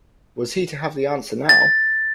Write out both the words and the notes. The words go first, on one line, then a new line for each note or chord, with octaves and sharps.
Was he to have the answer now?
A6